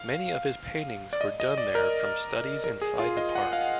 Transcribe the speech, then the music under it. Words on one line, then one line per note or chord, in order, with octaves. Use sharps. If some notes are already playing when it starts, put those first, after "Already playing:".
Many of his paintings were done there from studies inside the park.
Already playing: F5
D5
D#5
D#5
D5
A#4
A#4
G#4
F4
D#5
F#5
F5